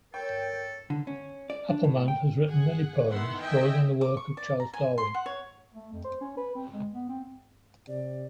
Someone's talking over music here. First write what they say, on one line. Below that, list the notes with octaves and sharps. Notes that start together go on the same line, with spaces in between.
Appleman has written many poems drawing on the work of Charles Darwin.
A4 A#4 C#5 G5
D3
C#4
D5
D4
A2
G5
G#4 F#5 G#5
D#3 E3 B3 E5 F#5 C6
D#5 E5 G5 G#5
D6
C#6
D5
A#5
G#5
C6
F#5
C#5
A3
F2
C5
C#4
B4
C4
G#3
B3
C4
C3 D5